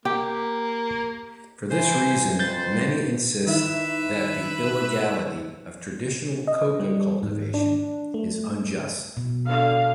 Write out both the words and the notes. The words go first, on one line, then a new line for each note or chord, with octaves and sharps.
For this reason many insist that the illegality of traditional coca cultivation is unjust.
A#3 G4
E3 C5 G#5
F2 B4 C5 G6 A6
D#3 E4 B4 E5
D#5
G3
G#2
D4
A3
B2
D3 F5